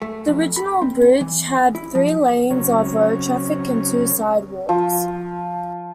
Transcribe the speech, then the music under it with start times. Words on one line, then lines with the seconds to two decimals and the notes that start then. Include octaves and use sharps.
The original bridge had three lanes of road traffic and two sidewalks.
0.02 A3
0.27 F2
0.56 B5
0.82 C4
1.21 E3
1.75 E4
1.95 F3
2.51 C#3 F#3 C4 C#4 A#4 C#5
4.69 F3